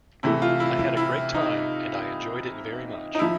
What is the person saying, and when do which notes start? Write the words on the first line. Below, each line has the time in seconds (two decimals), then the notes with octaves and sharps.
I had a great time and I enjoyed it very much.
0.23 C3 E3 A3 E4
0.42 F4
0.60 E4
0.79 E4
0.97 E4
1.35 D#4
3.15 D#4
3.19 F3 E4